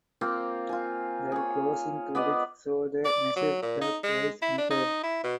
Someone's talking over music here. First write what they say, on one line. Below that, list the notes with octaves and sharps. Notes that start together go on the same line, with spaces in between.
The closing credits show the message Black Lives Matter.
A#3 C4 F4
F4 G#5
G#4 C#5
B3 D5 D#5
D5
F#3
A#2
D#4
G#3
E4
D4
D#4
E4
B2